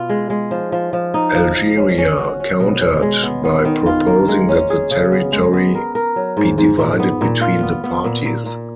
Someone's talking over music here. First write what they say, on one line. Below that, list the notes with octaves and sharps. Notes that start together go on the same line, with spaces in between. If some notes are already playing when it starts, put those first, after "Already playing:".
Algeria countered by proposing that the territory be divided between the parties.
Already playing: B2 F4
G#3
G#3
F3
F3
F3
D#4
F3
F3
C#4
C#4
F#4
C#4
B2
C#4
G#3
B3
B3
D#3
F4
A#3
G#3
C#4
G#4
C#3
B3
G#3
B3
A#4
A#4
F#3
G#2
G#2
A#2
B3
A#2
F4
B3
B3
A#2
A#2
A#2